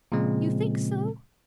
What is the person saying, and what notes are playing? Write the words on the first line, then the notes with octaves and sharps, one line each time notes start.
"You think so?"
A#2 C#3 F3 G#3 C4